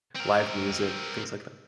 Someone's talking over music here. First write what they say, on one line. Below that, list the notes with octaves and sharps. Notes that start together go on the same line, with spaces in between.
live music." things like that?
C4 A#4